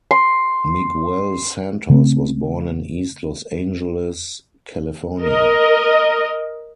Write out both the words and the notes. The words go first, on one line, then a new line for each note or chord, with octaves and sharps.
Miguel Santos was born in East Los Angeles, California.
C6
C#3 A3 C4
A#4 D#5